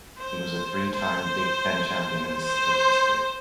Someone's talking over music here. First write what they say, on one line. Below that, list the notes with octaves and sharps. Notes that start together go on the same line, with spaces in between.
He was a three-time Big Ten champion in this statistic.
C5
C5
C5